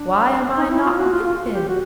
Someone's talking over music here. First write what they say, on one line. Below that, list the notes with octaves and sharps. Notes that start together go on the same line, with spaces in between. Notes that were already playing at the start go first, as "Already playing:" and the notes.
Why am I not with him?
Already playing: D4
D#4
E4
F4
F#4
F4
F4
G4
F#4